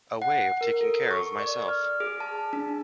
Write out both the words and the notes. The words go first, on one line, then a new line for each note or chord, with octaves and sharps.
A way of taking care of myself.
F#5
A#4
A4
C#6
D5
F6
G#4
A5
D4